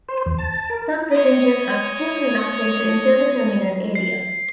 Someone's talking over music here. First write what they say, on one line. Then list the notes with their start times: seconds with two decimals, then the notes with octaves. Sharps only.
Some passengers are still reluctant to enter the terminal area.
0.09 C5
0.26 E2
0.39 A5
0.70 A#4
1.11 C#5 D#5
3.95 C7